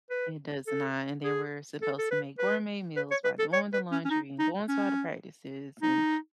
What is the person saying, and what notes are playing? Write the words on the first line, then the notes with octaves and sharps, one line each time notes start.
It does not, and then we're supposed to make gourmet meals, while doing the laundry, and going to all the practices, and,
B4
A4
G#4
A4
A4
B4
B4
B4
C#5
B4
A4
C#5
B4
C#4
C#4
D#4
D#4
C#4
D#4